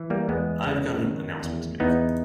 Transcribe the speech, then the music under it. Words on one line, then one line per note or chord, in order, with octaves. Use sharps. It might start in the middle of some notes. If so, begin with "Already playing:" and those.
Iâve got an announcement to make.
Already playing: E3
G3 A#3
E2 G#3 B3
C#3
D#3
E2
E2 B3 D#4